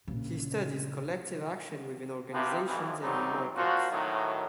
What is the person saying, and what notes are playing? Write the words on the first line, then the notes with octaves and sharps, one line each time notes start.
He studies collective action within organizations and in markets.
A#1 C#3
F#2 C3 F3 C4 G4 B4
B1 F2 E3
D#3 F#3 G3 A3 C4 D#4
A#2 F3 F4 F#4
A2 D#3 F#3